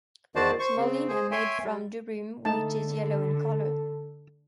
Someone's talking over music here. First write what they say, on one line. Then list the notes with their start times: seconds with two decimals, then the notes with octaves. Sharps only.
Semolina made from durum wheat is yellow in color.
0.36 E2 D#3 F#4 C5 D5 A5
0.59 C5 C#6
0.78 C#3 C4
1.08 G#4 C5
1.31 C#5 E5 G5 G#5 C6
1.64 G3
2.45 D3 A3 D#4 A4 A5